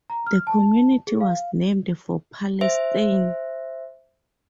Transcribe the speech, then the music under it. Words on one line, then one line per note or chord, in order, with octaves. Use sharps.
The community was named for Palestine.
A#5
F6
A5
G#4
F5
C5 E5